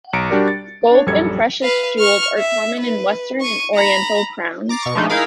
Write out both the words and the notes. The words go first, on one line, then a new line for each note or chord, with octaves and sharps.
Gold and precious jewels are common in western and oriental crowns.
B1 A#5 C#7 D7
G3 D4 F#4 G4 A#4 D5
A6
D4 C#5
A#1 F#2 G3 A4 G#6 C#7
B4 F5
C#6 F6
E5
B4
C#6 D#7
A#5 B5
A#5 D6 A6 C7
B2 C#6
F3 G#3 A3 D4 D#4
D#4 E4 G#4 A#4 F5 B5